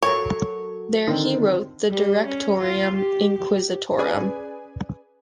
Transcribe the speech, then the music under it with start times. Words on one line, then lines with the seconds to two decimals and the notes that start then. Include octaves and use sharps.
There he wrote the "Directorium Inquisitorum".
0.02 F#3 A4 A#4 C#5
1.07 D3 D#3 C4
1.90 G3
2.27 C#4
2.60 F4
2.96 G4
3.38 G4
3.98 C#4 G#4 B4 D5 G#5